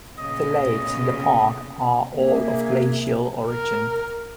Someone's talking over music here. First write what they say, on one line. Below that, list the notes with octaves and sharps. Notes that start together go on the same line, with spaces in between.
The lakes in the park are all of glacial origin.
A#2 C#3 B3 D#5
A#3 D4 G#4 E5
A#4